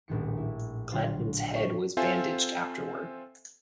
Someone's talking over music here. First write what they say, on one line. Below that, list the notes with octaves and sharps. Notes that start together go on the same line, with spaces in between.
Clanton's head was bandaged afterward.
D#1 A#1 A2 D#3 C#7
E4
D3 F#3 F4 C5
G4 A4 C5 C#5
C4 F4 A4 C5 E5 G#5